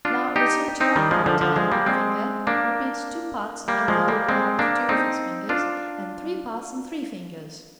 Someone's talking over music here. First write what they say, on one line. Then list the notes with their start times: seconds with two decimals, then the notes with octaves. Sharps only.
Now return to one pat and one finger, repeat two pats and the holding up of two of his fingers, and three pats and three fingers.
0.05 D4 F4
0.36 D#4 G4
0.80 C4 D#4
0.96 D#3 G3
1.11 F3 G#3
1.26 D3 F3
1.41 D3 F3
1.56 F3 G#3
1.72 G3 A#3
1.86 G#3 C4
2.47 A#3 D4
3.68 G3 A#3
3.88 F3 G#3
4.08 G3 A#3
4.29 G#3 C4
4.59 A#3 D4
4.89 C4 D#4
5.49 D4 F4